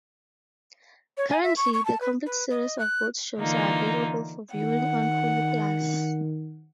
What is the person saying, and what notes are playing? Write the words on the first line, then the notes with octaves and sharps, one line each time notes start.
Currently, the Complete Series of both shows are available for viewing on Hulu Plus.
C#5
G#5
E5
C#6
C#6
A5
B4
B4
D#5
F#6
D3 E3 A#3 D#4 F4
D#3 F#5